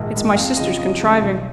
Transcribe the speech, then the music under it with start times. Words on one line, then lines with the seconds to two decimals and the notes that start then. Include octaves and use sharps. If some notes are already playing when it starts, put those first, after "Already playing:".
It's my sister's contriving.'
Already playing: A#1 G#2 D#3 G#3
0.15 G#2 D#3 G#3
0.36 F2 F5
0.57 C#3 F3 G#3 D#5
0.79 F2 D#5
1.00 C#3 F3 G#3
1.22 B1